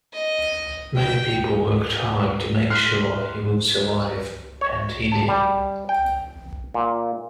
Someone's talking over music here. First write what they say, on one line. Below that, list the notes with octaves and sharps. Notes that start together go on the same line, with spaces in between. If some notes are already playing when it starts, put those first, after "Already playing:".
Many people worked hard to make sure he would survive and he did.
D#5
G5
A2 C6 F6 F#6
C#5
A5
G3
G5
A#2